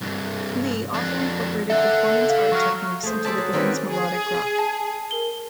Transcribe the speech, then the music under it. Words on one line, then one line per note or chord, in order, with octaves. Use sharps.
Lee often incorporated performance art techniques into the band's melodic rock.
C2 G2
F2 D4
A4 E5 F#5
F5
F#3 C#6 F6
A3 G#4 C5
G#4 A4 C5 D5 E5 A5
F#3
D#3 A#3 C4 C#4 F#4 B4
G#4
A5
A#4 G7